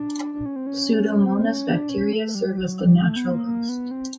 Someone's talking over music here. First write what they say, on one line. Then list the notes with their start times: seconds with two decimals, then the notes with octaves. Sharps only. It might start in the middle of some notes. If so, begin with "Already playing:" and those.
Pseudomonas bacteria serve as the natural host.
Already playing: D4
0.34 D4
0.46 C#4
0.56 C4
0.67 C#4
1.24 C4
1.45 C#4
1.68 D4
1.89 C#4
2.13 A3
2.35 G3
2.58 F#3
2.79 G3
3.02 A3
3.16 B3
3.32 A#3
3.46 A#3
3.69 B3
3.91 C4